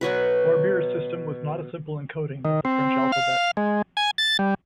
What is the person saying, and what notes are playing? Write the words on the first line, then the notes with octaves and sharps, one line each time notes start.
Barbier's system was not a simple encoding of the French alphabet.
B2 F#3 F#4 B4
D#3
C4
F5
G#3
G#5
A6
G3